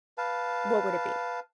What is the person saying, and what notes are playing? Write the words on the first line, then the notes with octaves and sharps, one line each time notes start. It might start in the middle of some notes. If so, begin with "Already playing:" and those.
what would it be?
B4 F5 A5